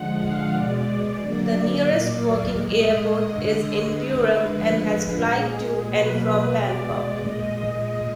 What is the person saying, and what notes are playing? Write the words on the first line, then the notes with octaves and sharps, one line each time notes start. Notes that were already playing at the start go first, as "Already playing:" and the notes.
The nearest working airport is in Buriram and has flights to and from Bangkok.
Already playing: D3 F3 G#3 F#5
F5
B2 G#3 D5
D3 F#3 A#3
A#2 F#3 A#3 D5
A#2 G#3 D#5
D3 G#3
D3 G#3 B4
D3 F3 G#3
A#2 G#3 G#4
B2 F#3 A#3 B4
B2 G#3 D5
A#2 G#3 D#5